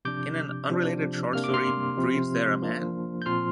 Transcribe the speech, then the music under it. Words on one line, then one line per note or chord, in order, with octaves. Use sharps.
In an unrelated short story Breeds There a Man...?
C3 F3 D4 D6 G6
C3 F3 D4
C3 A#3 D4 F6
D6
C6 F6
C3 F3 C4
F3 A#3 D4
G6
A#2 F3 C4 C6 F6